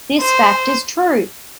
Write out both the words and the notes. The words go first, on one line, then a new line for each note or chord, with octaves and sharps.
This fact is truth!
C5